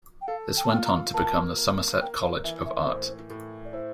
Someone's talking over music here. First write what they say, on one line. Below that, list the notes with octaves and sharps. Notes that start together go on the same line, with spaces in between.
This went on to become the Somerset College of Art.
G5
A4 F5
G5
A5
F4 G5
A#5
A#3 A5
A#3
A#3 G5
F5
E3 E5
E5
A2 C5
A2
D5
E4 C5